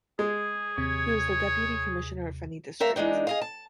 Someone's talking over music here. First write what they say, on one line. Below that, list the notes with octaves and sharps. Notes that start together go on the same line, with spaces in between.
He was the Deputy Commissioner of Feni District.
G#3 G#4
D#2 C3 C#5
A3 A#4 E5 F5
E3 G#3 D4 D#4
G#4 D#5 F5
A5